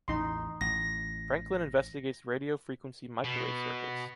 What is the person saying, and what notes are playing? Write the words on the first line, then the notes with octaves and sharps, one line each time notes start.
Franklin investigates radio frequency microwave circuits.
A1 E2 D#4 C6
A1 A#6
B2